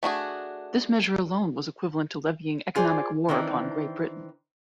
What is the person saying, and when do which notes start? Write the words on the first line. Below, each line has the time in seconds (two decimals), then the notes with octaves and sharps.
This measure alone "was equivalent to levying economic war" upon Great Britain.
0.03 A3 D4 F#4 G#4
2.75 F4 G#4 C5 D5
3.29 D#3 E3 C4 D4